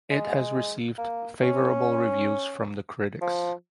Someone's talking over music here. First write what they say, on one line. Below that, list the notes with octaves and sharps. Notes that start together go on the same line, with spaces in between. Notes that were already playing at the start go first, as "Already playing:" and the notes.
It has received favorable reviews from critics.
G#3
A#3
C#4
F3